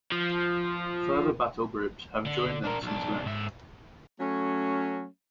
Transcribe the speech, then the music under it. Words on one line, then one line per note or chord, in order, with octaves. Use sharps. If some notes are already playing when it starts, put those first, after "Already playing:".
Further battlegroups have joined them since then.
F3
D3
D4 A#4
B1 D4
G#2 E5
F#3 A3 C#4